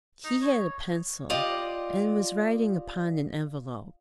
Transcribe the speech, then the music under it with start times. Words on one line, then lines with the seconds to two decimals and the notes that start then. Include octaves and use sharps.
He had a pencil, and was writing upon an envelope.
0.24 D#4
0.42 C#5
1.30 F4 G4 D5 D#5